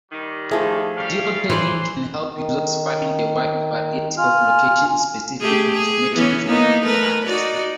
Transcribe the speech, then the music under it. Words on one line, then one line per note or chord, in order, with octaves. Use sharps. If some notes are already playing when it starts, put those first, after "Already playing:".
Geotagging can help users find a wide variety of location-specific information from a device.
D#3 G3
F3 A3 G#4 E5
G3 C#4 F5
E3 B4 C5 D5 C6
D#3
F4 G#5 F6
A3 G4 G#4
G#4
E3 B3 C#4
A#3 B3 D#4
A3 A#4 B4
D#4 F#4 D5